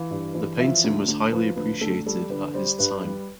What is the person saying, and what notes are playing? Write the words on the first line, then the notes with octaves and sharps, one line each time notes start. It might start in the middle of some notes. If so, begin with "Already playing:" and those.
The painting was highly appreciated at his time.
Already playing: E3 F5
G2
E3
F3 E5
D2
D2
F3 B4
D2 B4
D2 A4
G3 A4
D3 B4
G3 C5
G2 B4
G3